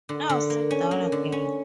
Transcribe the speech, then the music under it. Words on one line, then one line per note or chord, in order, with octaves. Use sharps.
Now sit down again.
D3
D3
A#3
C#4
A#3
D3
C#4